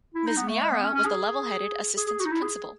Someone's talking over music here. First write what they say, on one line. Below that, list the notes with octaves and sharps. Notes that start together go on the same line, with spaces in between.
Ms. Meara was the level-headed assistant principal.
E4
D#4
B3
A3
G#3
B3
C#4
C#4
G#4
G#4
G#4
F#4
D#4
E4
G#4